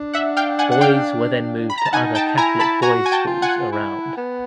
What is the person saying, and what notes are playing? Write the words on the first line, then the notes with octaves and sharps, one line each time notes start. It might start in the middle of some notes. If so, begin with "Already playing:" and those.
Boys were then moved to other catholic boys’ schools around.
Already playing: D4
E5 F#5
F5 G5
F#5 G#5
F#5
F5 G5
B5
A#5
A5
D#4 F#5 G#5
G5 A5
E4 G#5 A#5
A5 B5
F#4 G#5 A#5
G#5
G5 A5
F4
F#5 G#5
E4
B3